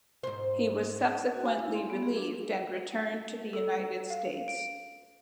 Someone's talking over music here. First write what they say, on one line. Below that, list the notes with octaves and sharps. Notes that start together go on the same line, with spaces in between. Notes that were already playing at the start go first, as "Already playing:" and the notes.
He was subsequently relieved and returned to the United States.
G#2 C5
F#4
G#5
E4
C6
B3
G#4
D4
A4
F5
D7